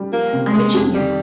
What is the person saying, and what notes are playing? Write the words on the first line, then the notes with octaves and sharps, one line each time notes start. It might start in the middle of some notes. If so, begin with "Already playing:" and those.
I'm a Junior.
Already playing: G3
F3 A#3
C3
C3 G#3
F2
D#3 G3